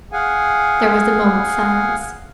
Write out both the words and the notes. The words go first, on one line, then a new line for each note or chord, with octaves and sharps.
There was a moment's silence.
G#4 F5 F#5 G#5